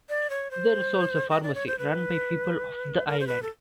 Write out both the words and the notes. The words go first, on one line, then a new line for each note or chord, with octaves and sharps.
There is also a pharmacy run by people of the island.
D5
C#5
C5
D#5
D5
C#5
C5
B4
A#4
C5
B4
A4